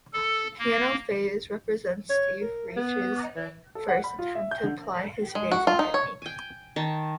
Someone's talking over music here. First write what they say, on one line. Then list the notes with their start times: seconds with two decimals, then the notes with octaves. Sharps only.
"Piano Phase" represents Steve Reich's first attempt to apply his "phasing" technique.
0.13 A4
0.59 A#3
2.10 C#5
2.42 A#4
2.77 B3
3.36 E3
3.75 A4
3.89 F#5
4.04 B5
4.19 F4
4.35 E5
4.51 G6
4.63 D3
5.35 G#3
5.51 F#4
5.67 F4
5.79 D#4
5.94 C#5
6.22 G5 G#5
6.76 D#3 A5